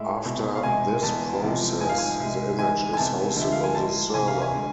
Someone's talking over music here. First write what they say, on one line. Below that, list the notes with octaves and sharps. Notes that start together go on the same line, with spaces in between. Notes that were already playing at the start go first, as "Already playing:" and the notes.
After this process, the image is hosted on the server.
Already playing: A2 G#3 E5
C2 B2 G#3
F5
C2 B2 G#3 G#5
E2 B2 G#3 A5
E2 C3 F3 G#3
G#2 F3 G#3 G#5
F5
G#5
C2 C3 G#3
G#2 E3 G#3 G#5
G#5
E2 C3 G#3 A5
D2 D3 F3 G#3 E5
F5
G#5
A2 F3 G#3 A5
C2 C3 E3 G#5
F5
G#5
D3 G#3